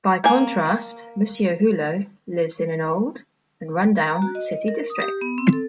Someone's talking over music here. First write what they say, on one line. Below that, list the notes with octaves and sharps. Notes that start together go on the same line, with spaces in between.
By contrast, Monsieur Hulot lives in an old and run-down city district.
A#3 G#5
A#5
F#4
D#5
D#5
A#4
D#6
G4
B3
C4
A4